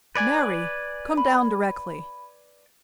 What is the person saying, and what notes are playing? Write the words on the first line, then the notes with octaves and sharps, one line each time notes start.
"Mary! come down directly."
B4 D5 G#5
B5